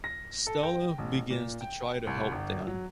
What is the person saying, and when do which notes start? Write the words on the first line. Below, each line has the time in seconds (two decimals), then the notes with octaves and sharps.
Stella begins to try to help Dan.
0.04 A#6
0.47 A4
0.63 G5
0.98 A1
1.30 A#2
1.61 G5
2.07 C2
2.32 G1
2.67 F#3